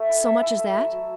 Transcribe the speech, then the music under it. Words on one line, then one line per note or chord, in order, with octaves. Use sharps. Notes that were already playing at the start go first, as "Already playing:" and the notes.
"So much as that?"
Already playing: A3
E4
G#5
E4 A5
E4
A3
F#3
F#3